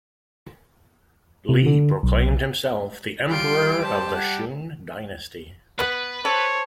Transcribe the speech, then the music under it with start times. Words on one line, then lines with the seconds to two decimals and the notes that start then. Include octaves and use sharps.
Li proclaimed himself the Emperor of the Shun dynasty.
1.49 C3
1.66 D3
2.03 B1
3.31 G3 F4 C6 D7
3.82 C5 A5
4.15 F#5
5.79 B3 B4 B5
6.25 A4 C5 C#5 A5